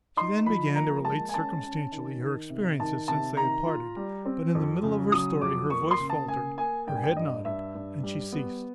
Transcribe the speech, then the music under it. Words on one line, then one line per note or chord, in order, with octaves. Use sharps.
She then began to relate circumstantially her experiences since they had parted; but in the middle of her story her voice faltered, her head nodded, and she ceased.
D#4 C6
F3 B5
A#3 A#5
G#3 A5
G#5
C#4 A5
C#4
D#3
D#3
C3
D#3 A5
C3 A5
D#3 A#5
F4
G3
C4
F2
C#3
F#3 D#6
F2 D6
A#3 C#6
C6
C#3
A5
A#3 G#5
A#3 G#5
G2 G5
G#5
G5
G2 D#5
G2 E5
G2
G3
B3